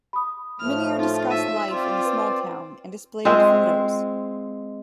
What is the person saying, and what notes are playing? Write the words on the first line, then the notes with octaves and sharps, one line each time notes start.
Minnier discussed life in the small town and displayed photos.
B5 D#6
A2 F3 A3 F6
D#4 F4
E5 D#7
C4 F4 C5 D5 C6
B4
G#3 C4 F4 E5